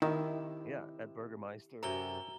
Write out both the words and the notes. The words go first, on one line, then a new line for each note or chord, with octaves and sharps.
yeah, a Bürgermeister.
C3 D#3 E4
F#2 C3 A4 A#5 G7